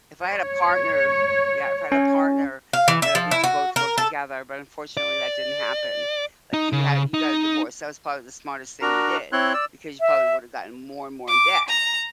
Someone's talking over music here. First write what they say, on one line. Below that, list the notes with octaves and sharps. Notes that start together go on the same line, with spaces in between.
If I had a partner Yeah, if I had a partner, that, uh, we could both work together, but unfortunately that didn't happen. Like, you had you got a divorce, that was probably the smartest thing you did, because you probably would have gotten more and more in debt,
C#5
C#4
F5
E3
E5
F3
E4
F#4
A#4
A4
D5
D#4
C#3
D#4
D4 F#4 A#4 A#5
C4 E4 C#5 C6 F#6
D5 E6
E5
D6
A#5